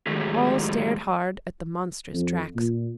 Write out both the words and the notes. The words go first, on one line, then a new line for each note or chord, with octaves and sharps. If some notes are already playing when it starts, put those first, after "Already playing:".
All stared hard at the monstrous tracks.
A2 D#3 F#3 G#3 A3 G4
F2
A#2